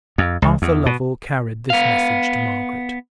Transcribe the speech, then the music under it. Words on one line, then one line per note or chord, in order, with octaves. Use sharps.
Arthur Lovell carried this message to Margaret.
F2
C#2
E2
B2
B3 F5